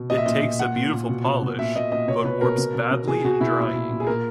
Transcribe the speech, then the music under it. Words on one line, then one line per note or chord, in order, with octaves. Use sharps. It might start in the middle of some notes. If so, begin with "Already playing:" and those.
It takes a beautiful polish, but warps badly in drying.
Already playing: B2
A#2 D#5
E5
A#2 D#5
A#2
A#2 F#5
A#2
A#2
B2
B2
B2
A#2 E5
A#2 D#5
A#2 D#5
B2 C#5
B2 B4
B2 A#4
B2
B2
B2
B2 G#4
B2 F#4
B2 E4
A#2
A#2
A#2
G#4
A#2 A#4